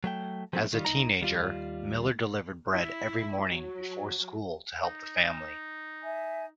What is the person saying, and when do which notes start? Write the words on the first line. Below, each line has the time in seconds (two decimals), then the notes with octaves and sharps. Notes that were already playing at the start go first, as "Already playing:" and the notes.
As a teenager, Miller delivered bread every morning before school to help the family.
0.04 F#3 A3 G5
0.53 F3 F#3 A3 C4 D#4 E4
0.72 D#3 G3 F4
0.85 C2 D#4 A#5
1.21 D#2 G3 F4
2.71 E4
3.43 F#3
4.84 D#4
6.02 E5 G#5